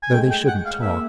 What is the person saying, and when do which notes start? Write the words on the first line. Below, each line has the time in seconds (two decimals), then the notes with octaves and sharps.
Though they shouldn't talk.
0.03 G#5
0.10 A3
0.14 G#3 G5
0.31 G5
0.48 F#5
0.66 F5
0.81 A#3 E5